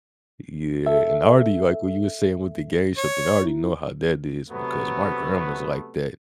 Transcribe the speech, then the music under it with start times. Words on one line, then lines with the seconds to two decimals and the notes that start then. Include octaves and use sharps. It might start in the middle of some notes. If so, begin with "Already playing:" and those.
Yeah, and I already like what you were saying with the game show thing, I already know how that is because my grandma's like that.
0.86 A4 E5
2.98 C#5
3.44 E4
4.50 C3 F#3 A3 B3